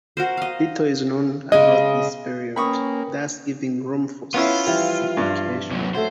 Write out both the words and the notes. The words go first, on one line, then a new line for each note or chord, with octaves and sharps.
Little is known about this period, thus giving room for speculation.
F#4 A#4 C5
D#5 F5
C#3 G#3 D#5 G#5
A#3 C#4 A#4 B4 G5 B5 C#6 D#6
B3 C#4 E4 F4
E3 F3 G3
G2
C3 F#3
F#3 A3 A4 C5